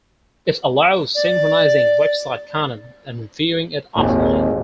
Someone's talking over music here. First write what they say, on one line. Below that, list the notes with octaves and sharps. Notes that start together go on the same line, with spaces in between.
It allowed synchronizing website content and viewing it offline.
D5
G#1 D#2 A#2